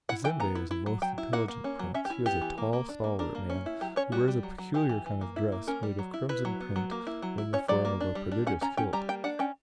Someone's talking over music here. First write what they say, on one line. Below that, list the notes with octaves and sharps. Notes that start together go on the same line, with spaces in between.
Cazembe is a most intelligent prince; he is a tall, stalwart man, who wears a peculiar kind of dress, made of crimson print, in the form of a prodigious kilt.
E4 F#5
E3 G5
B3 A#5
E4
E4
F#3
F#3 G5
E4
A#3 F#5
A#3
C#4
F#3
C#4 E5
G4
E4
B3 G4
E3
A#3
A#3
D4
A#3
D4 A#4
A#3
C#4
E4
F#3 G4
C#4 C#5
G3 F#4
G3
F#3
F#3
E3 G4
E3
E3
A#3
E4
A#3
C#4 A#4
G3
F#3
E4
E4 B4
F#3
B3
F#3
A#3
E4
F#3
E4
C#4 C#5
F#3 D5
A#3
D4
G3
D4
C#4 F#5
C#4 A#5
C#4 G5
G3 A#5
A#3 G5
D4 F#5
C#4 G5